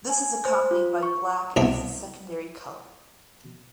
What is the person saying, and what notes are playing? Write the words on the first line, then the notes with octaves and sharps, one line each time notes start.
This is accompanied by black as the secondary colour.
G#5
C5
F4
C#6
C2 B3 D4 E5